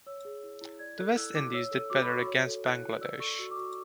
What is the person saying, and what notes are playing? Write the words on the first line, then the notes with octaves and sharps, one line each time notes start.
The West Indies did better against Bangladesh.
C#5 E6
G#4
E4
E4
D5 G#6
A4 F#6
E4 E6
E4 D6
C#5 E6
A4 E6
F#4 D6
B5
F#4 C#6
C#5
A4
E4 F#6
E4
D5 E6
A4 C#6
F#4 E6
D6
F#4 C#6